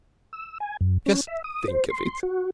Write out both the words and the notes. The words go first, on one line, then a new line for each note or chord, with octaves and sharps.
Just think of it!
E6
G#5
F#2
C#4
E5
D#6
C5
C6
F#4